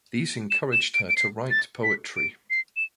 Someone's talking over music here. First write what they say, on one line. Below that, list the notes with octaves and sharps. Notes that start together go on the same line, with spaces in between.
These encouraged her to write poetry.
E7
E7
D7
D7
C7
A6
B6
D7
C7
E7